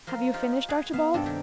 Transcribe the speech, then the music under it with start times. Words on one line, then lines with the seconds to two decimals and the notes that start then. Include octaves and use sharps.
"Have you finished, Archibald?"
0.07 F3 A#4 C6
0.34 D#4 F4 G4
0.69 G#4 F#5
0.93 B3 F5 A5
1.14 G2 C3 D4 A4 G5
1.26 D#3 G4